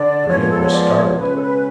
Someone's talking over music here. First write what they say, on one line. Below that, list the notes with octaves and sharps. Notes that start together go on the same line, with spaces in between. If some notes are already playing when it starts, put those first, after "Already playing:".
Brion was startled.
Already playing: D3 D5
F3 G#3 B3 C#5
C#5
A4
C#5
D5
C#5
C#2 B2 G#3 C#4 B4
A4
B4